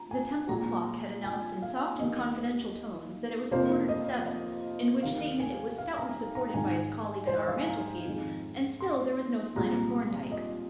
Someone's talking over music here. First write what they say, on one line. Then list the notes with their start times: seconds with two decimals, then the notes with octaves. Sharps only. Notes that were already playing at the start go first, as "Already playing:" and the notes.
The Temple clock had announced in soft and confidential tones that it was a quarter to seven, in which statement it was stoutly supported by its colleague on our mantelpiece, and still there was no sign of Thorndyke.
Already playing: F3 A#5
0.11 G#5
0.49 A#2 G#3 A#5
1.24 G#5
1.62 F5
2.00 D#2 D#3 A#3 D#5
3.51 F2 C3 F3 A#3 C5
3.89 D#5
5.03 D#2 D#3 A#3 F5
5.40 G#5
5.78 F5
5.97 A#5
6.35 A#5
6.53 G#2 D#3 G#3 G#5
7.27 C5
7.37 D#5
7.47 F5
7.58 G#5
7.67 A#5
8.05 F2 D#3 G#3
8.80 C6
9.56 C2 A#2 G#3 A#5
10.32 D#5